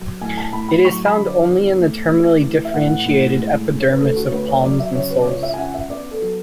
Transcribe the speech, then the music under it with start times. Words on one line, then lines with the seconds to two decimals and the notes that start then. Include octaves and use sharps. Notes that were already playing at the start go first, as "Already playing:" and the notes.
It is found only in the terminally differentiated epidermis of palms and soles.
Already playing: F#3
0.21 A2 G#5
0.37 A5
0.53 A2 B5
0.69 B5
0.84 F#3 C#6
1.05 B5
1.17 D3
1.26 D5
1.48 E2
1.79 A3
2.11 A3
2.42 E3
2.65 E5
2.74 A2 F#5
3.06 A2
3.37 G#3
3.69 D3
3.80 C#5
3.90 B4
4.00 D2 A4
4.16 F#4
4.27 C#5
4.32 D2 B4
4.48 C#5
4.64 F#3 D5
4.80 E5
4.95 C#3 C#5
5.11 B4
5.22 D5
5.27 C#2 C#5
5.43 E5
5.54 G#5
5.58 C#4 F#5
5.74 E5
5.90 B3 D5
6.11 A4
6.22 F#3